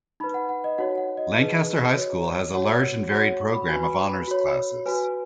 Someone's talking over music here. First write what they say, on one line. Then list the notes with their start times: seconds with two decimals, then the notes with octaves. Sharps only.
Lancaster High School has a large and varied program of honors classes.
0.20 D#4 B4 B5
0.34 F#5
0.49 F#5
0.64 D#5
0.78 D#4 F#4 C#5 F#5
0.98 F#5
1.17 D#5
1.36 D#4 G#4 B4
1.94 F#4 C#5
2.53 F#4 C#5 F#5
3.11 F#4 C#5 F#5
3.41 C#6
3.54 B5
3.69 F#4 B4 G#5
3.83 B5
4.27 F#4 C#5
4.86 F#4 B4 G#5